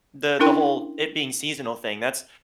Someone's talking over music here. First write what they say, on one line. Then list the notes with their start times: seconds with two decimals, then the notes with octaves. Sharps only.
the the whole it being seasonal thing. That's
0.40 C#4 D4 E4 A#4 G5 C6